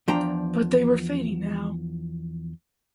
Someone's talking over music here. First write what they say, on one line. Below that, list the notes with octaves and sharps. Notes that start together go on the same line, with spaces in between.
But they were fading now.
E2 F3 D4 G5 A#5